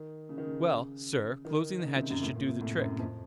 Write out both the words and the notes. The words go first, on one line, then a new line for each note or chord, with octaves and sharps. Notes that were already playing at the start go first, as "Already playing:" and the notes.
"Well, sir, closing the hatches should do the trick."
Already playing: D#3
C#3
D#3
C#3
D#3
D#3
C#3
C3
F#2
A2
A#2
C3
A2
F#2
F2